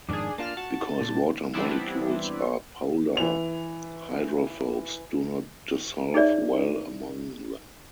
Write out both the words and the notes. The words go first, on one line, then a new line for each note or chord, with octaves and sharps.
Because water molecules are polar, hydrophobes do not dissolve well among them.
F2 G#2 D#3 D4 G#4
A#3 D4 F4 A5 F6
F#4 A5
A#2
E3 G3 B3 C4 D4 E4
E3 F7
D#4 G#4 B4 C#5 D5 E5